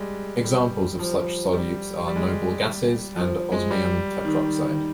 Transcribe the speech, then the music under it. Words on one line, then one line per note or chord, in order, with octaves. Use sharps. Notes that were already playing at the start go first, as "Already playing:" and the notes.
Examples of such solutes are noble gases and osmium tetroxide.
Already playing: G3 G#3
G3
F3
G3
G3
G#3
G3
F3
G#3
G3
D#3